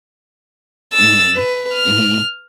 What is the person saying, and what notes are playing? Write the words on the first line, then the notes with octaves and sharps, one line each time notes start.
Mhm, mhm.
E6 A6
B4
F6